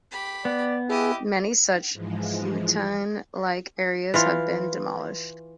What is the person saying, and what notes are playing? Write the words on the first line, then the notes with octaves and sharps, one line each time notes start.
Many such "hutong"-like areas have been demolished.
G4 B5
B3 D5
E4 G4 G#4 D#5
G#2 E3 F3 G#3
E3 F4